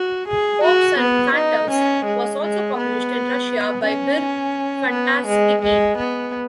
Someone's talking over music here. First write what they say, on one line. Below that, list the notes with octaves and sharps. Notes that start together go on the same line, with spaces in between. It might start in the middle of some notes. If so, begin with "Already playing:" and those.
"Popes and Phantoms" was also published in Russia by "Mir Fantastiki".
Already playing: F#4
G#4
F#4
B3
D#4
C#4
G#3
G#3
B3
C#4
B3
G#3
G#3
B3